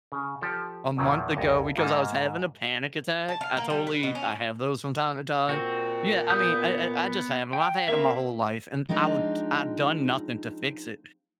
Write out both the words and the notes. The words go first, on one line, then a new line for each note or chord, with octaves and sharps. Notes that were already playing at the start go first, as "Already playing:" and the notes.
a month ago because I was having a panic attack, I totally I have those from time to time. Yeah, I mean, I I I just have 'em, I've had 'em my whole life, and I would I've done nothing to fix it,
C#3
F3 G4 A4
E2 A#2 D#3 F3 F#3
C2 F2 C#5 D#5 A5
G#2 A#3 D#4 F4 E5
A5
F5
A#3
G3
B4
B2
C#4
A#2 C4 F#4
B3 D#6 G6
G5
A#3 C4 E5
F3 G#3 C4 D4 D#4 F4